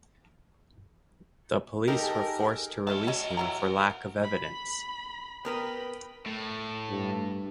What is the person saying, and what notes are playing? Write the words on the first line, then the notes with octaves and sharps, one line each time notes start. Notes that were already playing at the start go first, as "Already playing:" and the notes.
The police were forced to release him for lack of evidence.
D#4 G4 A4 A#4
G#4
G#3 A3 C#4 A#4 A5
F#4 C#5 D#5
E3 F#3 A#5
B5
B3 A#4 B4 G5 B5
A2
G2